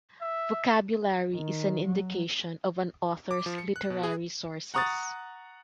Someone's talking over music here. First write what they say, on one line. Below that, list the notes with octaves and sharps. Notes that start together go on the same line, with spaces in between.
Vocabulary is an indication of an author's literary sources.
E5
D#3
F#3
D6
F3
C#7
F#6
B2
G#4
F#5 A#5 C#6 D#6 F#6 A6